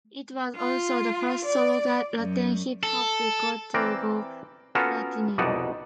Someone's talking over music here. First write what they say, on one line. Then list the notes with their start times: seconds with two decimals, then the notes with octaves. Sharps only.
It was also the first solo Latin hip hop record to go Platinum.
0.57 F4
1.45 D5
2.18 F#2
2.83 A4
3.74 E3 C4 A#4 D5
4.75 B3 C#4 F4 F#4 A4 A#4
5.38 C2 F2 B2 D#4 D5 F#5